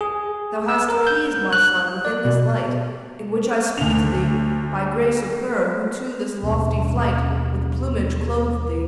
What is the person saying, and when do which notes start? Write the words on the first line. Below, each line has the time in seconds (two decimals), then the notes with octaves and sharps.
Thou hast appeased, my son, within this light In which I speak to thee, by grace of her Who to this lofty flight with plumage clothed thee.
0.01 G#4
0.68 E6
0.89 A#4
1.07 G6
1.53 F#6
2.05 D5
2.25 B2
3.78 D2 F7
6.43 D#2 B2 B3 C#4